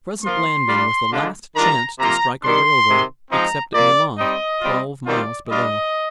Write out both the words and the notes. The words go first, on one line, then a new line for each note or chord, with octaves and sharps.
The present landing was the last chance to strike a railway, except at Milan, twelve miles below.
F3 A#3 F4 C6
G3 D4 F4
D3 G#3 D4 F4
D#3 G3 D4 F4 A#5
C3 F3 A#3 F4 A#5
D#3 G3 D4 C6
C3 D#3 G#3
F3 G#3 C4 D#4 A#5
A#2 F3 A#3 D5
G3 C4 D#4 D#5
G3 C4 F4
D#3 G3 C4 F4 D5
G3 D4 F4 D#5